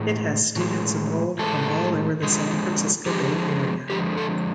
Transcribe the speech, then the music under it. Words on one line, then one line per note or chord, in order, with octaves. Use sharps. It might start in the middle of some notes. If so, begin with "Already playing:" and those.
It has students enrolled from all over the San Francisco Bay area.
Already playing: A2 E3 G#3
A2 E3 G#3
A2 E3 G#3 A4
D3 F3 G#3
D3 F3 G#3 G4
D3 F3 G#3 G4
A4